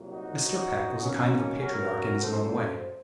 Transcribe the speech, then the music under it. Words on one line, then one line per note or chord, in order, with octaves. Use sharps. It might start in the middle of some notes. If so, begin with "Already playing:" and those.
Mr. Peck was a kind of a patriarch in his own way.
Already playing: C2 A#2 F#3
D#4 F#4
F#2 F3
F#2 D#3 F#3 A#3 C#4
F#2 C#3 F#3 F#4 A#4
F#2 C#3 F#3 A4 C5